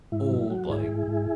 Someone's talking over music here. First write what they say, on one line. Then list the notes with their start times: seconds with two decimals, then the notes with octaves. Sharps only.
old, like,
0.12 G#2 E4
0.31 F#3
0.50 F#3 F#4
0.69 G#2 E4 G#4
0.88 G#2
1.07 G#2